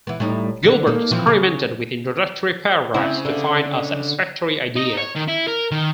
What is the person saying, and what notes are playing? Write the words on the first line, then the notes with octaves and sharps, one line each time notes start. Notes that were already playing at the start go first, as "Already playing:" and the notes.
Gilbert experimented with introductory paragraphs to find a satisfactory idea.
E3 B3
A2 G3 D#4
D3
A#3 D#4 A4
E3 F3 C4
C#3
C#3 C4 E4
D3
D#4
C#5
D#3
E4
A#4
D#3